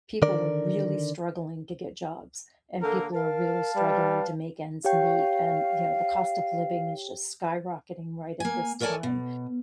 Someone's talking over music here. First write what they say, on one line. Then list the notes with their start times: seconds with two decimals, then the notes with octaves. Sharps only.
people are really struggling to get jobs, and people are really struggling to make ends meet, and, you know, the cost of living is just skyrocketing right at this time,
0.22 D3 D#3 A#4 D5
2.81 D3 A#3 A4 A#4
3.14 A#4 F5 A5
3.76 G3 B4
4.84 G4 C#5 F5 G5
8.40 A#3 G#5
8.80 A4 A#4 C#5 D5 G#5 A5
9.03 B2